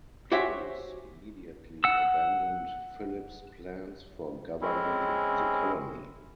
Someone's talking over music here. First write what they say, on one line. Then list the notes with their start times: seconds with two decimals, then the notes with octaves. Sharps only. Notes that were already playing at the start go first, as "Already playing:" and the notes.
Grose immediately abandoned Phillip's plans for governing the colony.
0.32 F#4 G4 C5 C#5 E5 G#5
1.84 F#5 E6
4.61 G#3 C4 C#4 E4